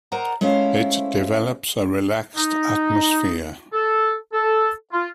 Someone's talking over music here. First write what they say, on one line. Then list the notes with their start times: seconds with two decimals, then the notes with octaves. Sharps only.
It develops a relaxed atmosphere.
0.12 A#4 C5 D5 D#5 F#5 A#5
0.41 G#3 A3 C#4 E4 C5 F5
2.36 D#4
3.73 A4
4.33 A4
4.92 F4